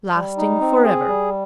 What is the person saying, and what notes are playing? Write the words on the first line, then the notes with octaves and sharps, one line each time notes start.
Lasting forever.
G3
D#4
C4
G#4
G3